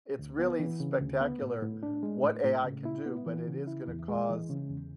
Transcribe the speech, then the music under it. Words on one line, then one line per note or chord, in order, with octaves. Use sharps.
It's really spectacular what AI can do, but it is gonna cause
D2
B3
E3
C#3
D2
B3
A2
A2
D4
G#3
A2
A2
C#3
E4
B3
E3
C#3
E4
E2
G#3
E3
C#3
E2